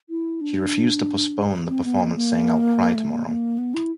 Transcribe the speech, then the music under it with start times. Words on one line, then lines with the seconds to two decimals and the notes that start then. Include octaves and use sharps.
She refused to postpone the performance saying I'll cry tomorrow.
0.09 E4
0.41 D4
1.68 C4
1.84 B3
1.99 A#3
2.16 A#3
2.95 A3
3.11 A#3
3.27 A#3
3.58 B3
3.74 E4